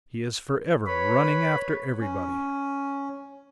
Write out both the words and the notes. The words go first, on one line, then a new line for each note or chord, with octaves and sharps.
He is forever running after everybody.
B4 C#5 B5
C#4